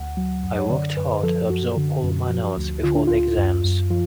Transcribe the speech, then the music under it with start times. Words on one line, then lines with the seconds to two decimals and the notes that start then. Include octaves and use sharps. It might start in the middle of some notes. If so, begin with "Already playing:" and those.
I worked hard to absorb all of my notes before the exams.
Already playing: D2 F#5
0.17 F#3
0.43 F#2
0.58 C#5
0.70 D3 D5
0.97 F#2 B4
1.23 F3 A4
1.50 F#2 F#4
1.77 D3
2.03 F#2
2.30 F3
2.57 D2
2.83 D3 F4
2.95 D4
3.07 D2 F4
3.37 F#2
3.64 F#2
3.90 F3 F4